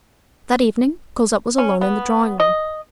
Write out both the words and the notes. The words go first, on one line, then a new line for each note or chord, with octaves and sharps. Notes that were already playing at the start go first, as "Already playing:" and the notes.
That evening, Cosette was alone in the drawing-room.
C#4
B3
D#5